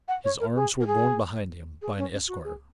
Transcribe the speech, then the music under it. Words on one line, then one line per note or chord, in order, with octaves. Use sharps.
His arms were borne behind him by an esquire.
F#5
C#5
A#4
G#4
A#4
G#4
G#4
C#4
C#4
F#4
G#4